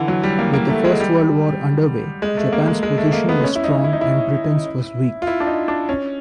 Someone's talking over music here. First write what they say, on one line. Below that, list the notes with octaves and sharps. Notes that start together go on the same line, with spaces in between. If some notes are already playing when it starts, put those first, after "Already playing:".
With the First World War underway, Japan's position was strong and Britain's was weak.
Already playing: D3 E3
F#3
G3
A#3
A#3
A3
G#3
G3
G#3
A3
A#3
G#3
G#3
A3
A#3
B3
C#4
E4
D#4
E4
D#4
E4
F4
E4
D4
D#4
D4
C#4